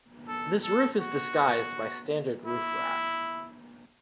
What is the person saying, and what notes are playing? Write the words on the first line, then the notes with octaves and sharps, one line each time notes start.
This roof is disguised by standard roof racks.
A4
A4
F#4
E4